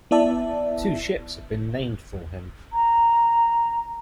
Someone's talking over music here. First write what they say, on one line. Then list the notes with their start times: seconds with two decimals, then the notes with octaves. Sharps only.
Two ships have been named for him.
0.11 B3 E4 D5 E5 A5
2.73 A#5